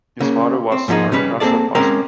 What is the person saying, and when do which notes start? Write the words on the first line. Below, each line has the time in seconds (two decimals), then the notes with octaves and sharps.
His father was Hariprasad Basu.
0.20 C#3 A#3
0.72 C4
0.88 G#2 F3 G3 G#3 A#3 D#4
1.12 C#3 G3 C#4 B4
1.40 A#3 C4 G#4 A4 D5
1.75 G#3 C4 C#4 A#4 G5